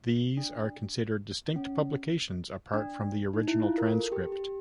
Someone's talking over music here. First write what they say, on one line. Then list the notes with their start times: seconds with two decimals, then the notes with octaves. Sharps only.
These are considered distinct publications apart from the original "Transcript".
0.37 D4
1.56 C#4
2.74 D4
3.33 D#4
3.48 E4
3.63 F4
3.78 A#4
3.93 A4
4.12 G4
4.32 G4